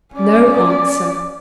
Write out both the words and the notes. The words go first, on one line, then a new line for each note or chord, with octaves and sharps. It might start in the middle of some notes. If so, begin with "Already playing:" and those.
No answer.
C#4 D5